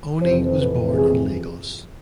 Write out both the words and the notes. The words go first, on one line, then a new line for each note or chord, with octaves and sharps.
Oni was born in Lagos.
F2 C3 E3 C5
B4
G#4